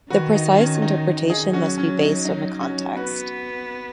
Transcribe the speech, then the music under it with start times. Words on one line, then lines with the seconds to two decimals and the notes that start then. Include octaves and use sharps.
The precise interpretation must be based on the context.
0.10 D#3 F#4 B4
0.35 D#4
0.58 C#4
0.82 D#4
1.30 D#4 G#4
1.53 F#3 C#4 F#4
1.78 C#4
2.01 D#4
2.25 D#4
2.61 C#4 F#4
2.96 B3 F#4 B4